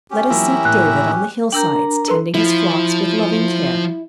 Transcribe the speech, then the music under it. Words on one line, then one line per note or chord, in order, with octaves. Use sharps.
Let us seek David on the hillsides, tending his flocks with loving care.
C#4 G4
E3 F#3 A#3 E4 F4 A#4
A2 A#3 F#6
D4 A#4 G5 A#5 E6 G6
A4 B4 C6
F3 E4